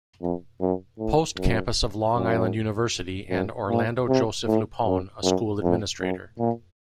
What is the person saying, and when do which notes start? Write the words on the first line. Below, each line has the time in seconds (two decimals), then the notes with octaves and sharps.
Post Campus of Long Island University, and Orlando Joseph LuPone, a school administrator.
0.22 F2
0.61 F#2
0.99 A2
1.37 F#2
2.15 F#2
3.30 F#2
3.69 A#2
4.08 C3
4.46 A2
4.85 F#2
5.23 F#2
5.62 F2
6.01 F#2
6.39 A#2